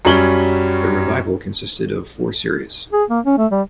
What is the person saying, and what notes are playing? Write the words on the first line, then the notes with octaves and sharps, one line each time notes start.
The revival consisted of four series.
F#2 F#3 G3 C#4 F#7 G7
G#4
A#3
C#4
A3
G3